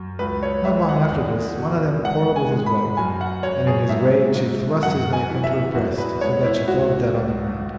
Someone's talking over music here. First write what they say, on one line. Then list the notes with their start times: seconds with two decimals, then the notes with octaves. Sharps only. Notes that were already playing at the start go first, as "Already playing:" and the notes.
Not long after this one of them quarrelled with his wife, and in his rage he thrust his knife into her breast so that she fell dead on the ground.
Already playing: F#2
0.19 C#2 B4
0.43 C#5
0.65 G#3 E5
0.89 F#5
1.12 E2
1.58 B2
2.04 G#2 F#5
2.36 G#5
2.51 G#3
2.66 B5
2.97 F#2 G#5
3.21 F#5
3.43 F#2 C#5
3.67 G#4
3.89 G#2 E5
4.35 G#2
4.83 F#2 F#5
5.13 G#5
5.29 E3
5.44 E5
5.75 E2 F#4
5.98 B4
6.21 G#3 C#5
6.45 E4
6.68 C#2 F#4
7.14 C#2